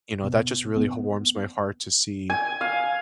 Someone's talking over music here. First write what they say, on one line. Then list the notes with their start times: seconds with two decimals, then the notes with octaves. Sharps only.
you know, that just really h warms my heart to see
0.23 B2
0.77 B3
2.30 G#5
2.61 F5